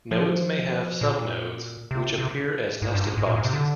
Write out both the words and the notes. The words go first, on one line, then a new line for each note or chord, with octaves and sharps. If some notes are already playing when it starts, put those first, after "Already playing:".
Nodes may have subnodes, which appear as nested boxes.
F3
A#2
C3
C3
G#2
G2
G#2
G#2
A#2
G#2
C3
D3